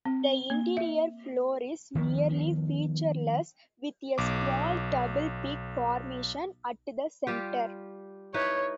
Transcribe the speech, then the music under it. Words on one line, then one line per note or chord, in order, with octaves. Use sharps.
The interior floor is nearly featureless, with a small double-peak formation at the center.
C4
A#3
E5
D#3 F3 A#3 B3
B1 D6
G3 F4 G4
D#4 E4 B4 C#5